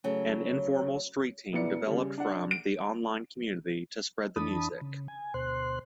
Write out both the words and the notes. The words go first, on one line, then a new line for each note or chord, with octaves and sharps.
An informal 'street team' developed from the on-line community to spread the music.
C#3 F#3 A3
E1 B3 E4 D5 C#7
C#3 G3
D4 F#5
D7
F2 E3 D4 A5 B5 D#6
C#3
G#5
D2 B2 C5 C6 F#6